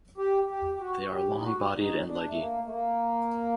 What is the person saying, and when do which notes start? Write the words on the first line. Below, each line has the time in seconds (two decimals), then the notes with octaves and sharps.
They are long-bodied and leggy.
0.18 G4
0.50 G4
0.75 G4
0.80 F#4
1.12 G4
1.35 D#4
1.44 F#4
1.75 D#4
2.07 D4
2.28 A3
2.38 A#3
2.66 A3
2.70 A#3